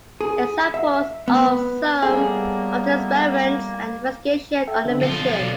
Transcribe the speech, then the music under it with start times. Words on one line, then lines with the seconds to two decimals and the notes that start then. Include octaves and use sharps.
Examples of some of the experiments and investigations on the mission.
0.21 G#4
0.74 E5
1.28 B3
2.02 A2 G3 A#3 B3 G#4
4.67 A4 E5 G5
4.85 D3 C4
5.01 B1 F3 F4
5.40 B2 D5